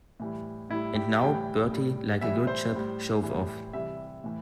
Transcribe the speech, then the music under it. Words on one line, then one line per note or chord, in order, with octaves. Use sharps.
And now, Bertie, like a good chap, shove off.
A2 E3 G3
A2 G3 E4
G4
A2 E3 G3 G5
A2 G3
A2 E3 G3 E5
C5
A2 G3
A2 E3 G3
C3 E3 G3 E5
A2 E3